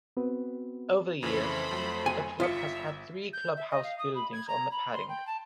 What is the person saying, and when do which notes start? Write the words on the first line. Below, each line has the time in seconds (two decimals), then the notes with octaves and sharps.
Over the years, the club has had three clubhouse buildings on the Padang.
0.17 B3 C4 F#4 B4
1.23 F2 C#3 E3 A3 C5 B5
1.71 F2 F#3
2.06 G#5
2.40 G1 F4 E5 B6 C#7
3.33 G6
3.57 E5
3.70 D#5
3.83 F5
3.99 D#6
4.15 B5
4.33 G#6
4.48 A#5
4.71 B5
4.93 C6
5.09 G5
5.27 A5